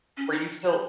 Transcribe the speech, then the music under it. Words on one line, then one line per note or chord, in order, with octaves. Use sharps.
were you still
C#4
D#4
C5